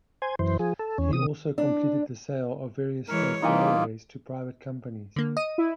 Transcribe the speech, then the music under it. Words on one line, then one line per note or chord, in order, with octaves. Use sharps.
He also completed the sale of various state railways to private companies.
C5 G#5
F#2 E3 C5
F3 G#4
A4
E2 C#4
C3 D#6
D4
E3 G#3 A#4 C#5
E3 G3 A#3 D#4 F4 G#5
D3 A#3
D#5 D#7
E4